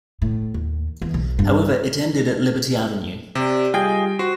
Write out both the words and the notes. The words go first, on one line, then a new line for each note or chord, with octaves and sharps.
However, it ended at Liberty Avenue.
A2
D#2
E2
B1
G2
C3 G4 D5
G3 F4 G4 G#4 D#5 G5
F#4 C5